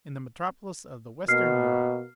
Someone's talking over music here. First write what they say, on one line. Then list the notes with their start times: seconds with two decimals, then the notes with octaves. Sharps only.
In the metropolis of the western world!
1.28 B2 A#3 F6 C7